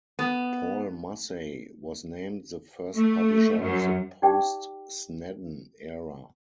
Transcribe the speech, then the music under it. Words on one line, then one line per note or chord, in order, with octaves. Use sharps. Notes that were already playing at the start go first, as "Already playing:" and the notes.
Paul Massey was named the first publisher of the post-Snedden era.
B3
A3
F#2
D#4 G4 D5 G5 D6